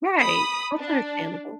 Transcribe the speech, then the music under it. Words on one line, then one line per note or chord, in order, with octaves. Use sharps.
Right, that's understandable.
B5 D#6
D4